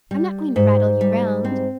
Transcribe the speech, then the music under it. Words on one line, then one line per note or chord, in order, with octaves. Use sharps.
I'm not going to rattle you round.
G3
G#2
G3
C4